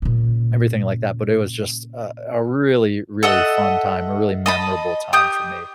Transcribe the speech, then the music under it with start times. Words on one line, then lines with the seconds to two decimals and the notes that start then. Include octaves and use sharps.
everything like that but it was just a a really, really fun time, a really memorable time for me.
0.02 A#2 C#3
3.23 A4 D#5 E5 F#5
4.46 D#5 A5 B5
5.13 G4 D#6 G6